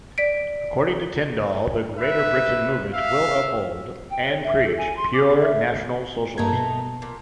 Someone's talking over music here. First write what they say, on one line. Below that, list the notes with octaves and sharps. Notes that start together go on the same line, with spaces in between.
According to Tyndall, "the Greater Britain Movement will uphold, and preach, pure National Socialism".
D5 B6 D7
B4 E5
E5 F5
G5
C#5
E5
A4
G#5
C6
D6
E5
G2 A3 A#3 D#4 G#6
B2
A#2